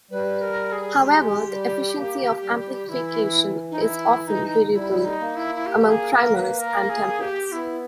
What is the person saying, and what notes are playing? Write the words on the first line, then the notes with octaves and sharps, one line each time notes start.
However, the efficiency of amplification is often variable among primers and templates.
G3 B4
A#4
G#4
G#3 G4
G3
A#3
G3
E3 E4
D#4
E4
D#4
G3 E4
D#4
A#3
E4
E4
G4
G#4
A#4
B4
A#4
G#4
G4
B3 E4